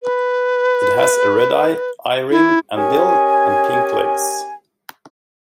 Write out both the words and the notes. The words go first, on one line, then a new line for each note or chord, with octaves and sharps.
It has a red eye, eye ring and bill, and pink legs.
B4
E4
C#4 G4 A#4 C#5 D#5 G#5